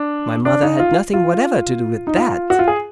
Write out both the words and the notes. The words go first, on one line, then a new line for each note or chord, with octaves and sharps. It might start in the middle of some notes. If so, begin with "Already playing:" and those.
My mother had nothing whatever to do with that.
Already playing: D4
D4
D#4
F4
F4
D#4
F4
F#4
F4
G#4